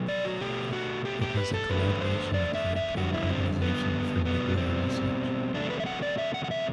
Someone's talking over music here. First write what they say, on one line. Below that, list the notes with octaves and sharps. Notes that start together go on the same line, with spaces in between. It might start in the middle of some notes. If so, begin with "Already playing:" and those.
It has a collaboration with European Organization for Nuclear Research.
Already playing: B2 F#3 A3
D5
F#4
B2 A3 G4
F#4
G4
G4
B4
A4
E2 D3 A3 B4
C5
D5
E5
E5
F#2 D3 G3 F#4
E4
C4
B3
B2 G3 B3
C4
E2 C3 F#3 A3 D4
B4
E5
F#5
D5
E5
F#5
F#5
E5